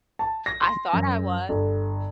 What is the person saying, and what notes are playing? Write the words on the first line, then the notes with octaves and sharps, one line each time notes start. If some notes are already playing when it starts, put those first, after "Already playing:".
I thought I was.
A5
A#6
C6
F#2
G1